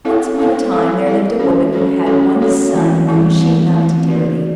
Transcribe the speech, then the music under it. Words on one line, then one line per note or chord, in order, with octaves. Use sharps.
Once upon a time there lived a woman who had one son whom she loved dearly.
C4 E4 A4 C#5 F5
C4 E4 A4 C#5 F5
C4 E4 A4 C#5 F5
C4 E4 A4 C#5 F5
G#3 C#4 F#4 A4 C#5
G#3 C#4 F#4 A4 C#5
G#3 C#4 F#4 A4 C#5
G#3 C#4 F#4 A4 C#5
E3 A3 C4 E4
E3 A3 C4 E4
E3 A3 C4 E4
E3 A3 C4 E4
A#3 D#4 F#4 B4 D5